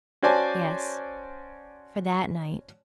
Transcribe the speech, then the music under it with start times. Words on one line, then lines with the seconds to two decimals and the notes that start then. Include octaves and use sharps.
Yes, for that night.
0.22 C#4 F#4 C5 D5 G#5 A5